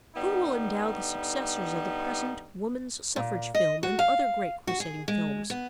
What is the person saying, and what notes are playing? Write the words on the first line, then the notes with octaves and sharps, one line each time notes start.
Who will endow the successors of the present woman's suffrage film, and other great crusading films?
D3 G3 B3 D#4
A#2
D#5
F#4
F5
F#4
G#4
G#3
B3